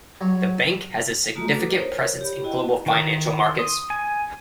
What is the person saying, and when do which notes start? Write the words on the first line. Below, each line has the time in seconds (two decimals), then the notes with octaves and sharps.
The bank has a significant presence in global financial markets.
0.21 F#3
1.35 A3 A#3 F4 F#4 A#5 D#6
1.55 D4 A4 B4
1.72 D#4 A#4 C5 C#5
2.03 C#5
2.21 G4 D5 B5
2.44 E4 F#4 D#5 G5
2.86 D#3
3.40 C6
3.59 D#6
3.90 G#5